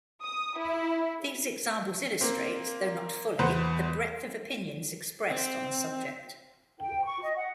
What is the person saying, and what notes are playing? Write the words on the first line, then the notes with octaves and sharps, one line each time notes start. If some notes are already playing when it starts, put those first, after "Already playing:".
These examples illustrate, though not fully, the breadth of opinions expressed on the subject.
D#6
E4
A#3 C4
E2 B4 C5 F#5
C4
G5
C#6
D#5
F#5